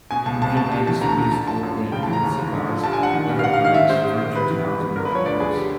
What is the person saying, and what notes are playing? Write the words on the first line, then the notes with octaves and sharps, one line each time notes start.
The main items produced locally include cigars, leather products, furniture, tiles and mud bricks.
B2 G#5
C#2 A5
C#2 A5
B2 A5
C3 A5
E3 A5
D2 A#5
A5
D2 A#5
D3 A5
F3 A5
F#2
F#2
C#3 G5
A5
E3
A#5
D#2
D#2
D3
F3
G2 A5
G#5
G2
F#5
D#3
G2
F5
G2 F#5
F5
D#3
F5
D#3 E5
G#2 C5
G#2
D#3
C3 B4
E3
E2
E2
D3 A#4
B4
F3 C#5
D2 D5
D2 G#4
D3 G4